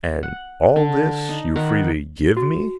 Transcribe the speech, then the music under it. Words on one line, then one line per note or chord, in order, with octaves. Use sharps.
"And all this you freely give me?"
F#5
D3
D#4
D#3 A#4 F#5 B5
F#4